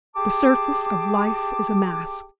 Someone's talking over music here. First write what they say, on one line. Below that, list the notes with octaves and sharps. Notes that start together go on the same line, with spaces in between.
The surface of life is a mask.
G4 G#4 A5 D6